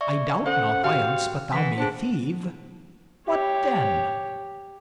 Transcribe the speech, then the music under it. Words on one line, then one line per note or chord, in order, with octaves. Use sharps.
I doubt na, whiles, but thou may thieve; What then?
D5 E5 C#6
C#4 A4 C5 F#5
F#4 G4 F5 G5
E3 F#5 B6
D4 G#4 C5
G4 C#5